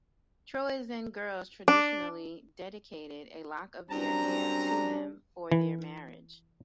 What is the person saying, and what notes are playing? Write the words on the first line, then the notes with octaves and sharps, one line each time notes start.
Troezen girls traditionally dedicated a lock of their hair to him before their marriage.
D4
F#2 G3 C4 D4 A#5
E3